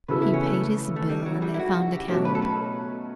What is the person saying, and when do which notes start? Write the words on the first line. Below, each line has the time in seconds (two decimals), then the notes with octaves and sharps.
He paid his bill and they found a cab.
0.08 C#3 E3 B3 F#4 A4 B4
0.22 E4
0.33 C#4
0.46 A3
0.96 A3
1.09 G3
1.26 F#3
1.42 G3
1.54 E4
1.59 F#4
1.75 F#4
1.92 G4
2.08 B2 F#3 A3 C#4 F#4 G4
2.25 B4
2.35 A4
2.42 B4